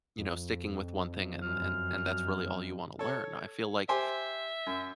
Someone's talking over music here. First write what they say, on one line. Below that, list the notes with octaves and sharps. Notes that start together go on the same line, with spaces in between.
you know, sticking with one thing and and and that's really all you wanna learn. I feel like
F2
F#2 F6
A4 C#5
G4 C5 E5 G#5
F#2